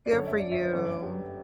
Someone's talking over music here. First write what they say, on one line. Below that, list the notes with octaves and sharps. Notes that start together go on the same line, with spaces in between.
Good for you.
D5
G1 F#2 D3 A4 C#5
E5
D5
C#5 E5
B4
G1 F#2 D3 A4 C#5
G4 B4